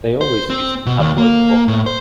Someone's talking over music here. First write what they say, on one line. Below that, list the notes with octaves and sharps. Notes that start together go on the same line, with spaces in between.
They always used the tabloid format.
C5
C4
B2
D#2
A#3
A2
C5